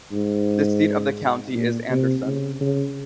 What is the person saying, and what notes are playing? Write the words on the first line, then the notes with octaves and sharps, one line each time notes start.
The seat of the county is Anderson.
G#2
A#2
C3
C#3
C#3